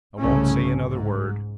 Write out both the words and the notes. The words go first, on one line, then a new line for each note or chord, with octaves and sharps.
"I won't say another word."
C2 G#2 C#3 A3 C#4
G#2